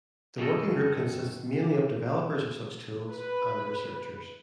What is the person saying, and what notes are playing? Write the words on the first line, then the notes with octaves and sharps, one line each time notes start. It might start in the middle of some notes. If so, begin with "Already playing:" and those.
The working group consists mainly of developers of such tools and researchers.
F#2 D#3 C#4 E4 A4 D#5
B4